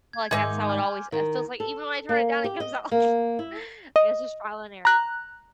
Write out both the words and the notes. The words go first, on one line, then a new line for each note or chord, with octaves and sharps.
I feel like that's how it always it feels like even when I turn it down, it comes out like like, it's just trial and error.
G#6
G#2 D#3 G#4 D#5 E5 C6 D6 G6
G#5 F6
D#3
A4
A#3
G4
D#5
A#3
E4
D#5
A#5 F#6